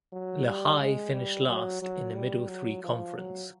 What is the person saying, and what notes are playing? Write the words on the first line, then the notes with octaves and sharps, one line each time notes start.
Lehigh finished last in the Middle Three Conference.
F#3
G3
G#3
G3
F#3
F#3
G3
F#3
F3
F#3